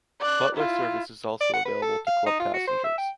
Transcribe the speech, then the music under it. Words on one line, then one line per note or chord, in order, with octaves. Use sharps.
Butler service is also available to club passengers.
D5 F#6
E4 F4
D5
F#5
B4
A4
F5
D#4
F4
F#4
C5
E5
G5